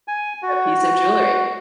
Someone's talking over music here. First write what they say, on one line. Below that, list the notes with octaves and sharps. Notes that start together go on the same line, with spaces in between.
that piece of jewelry."
G#5
F#4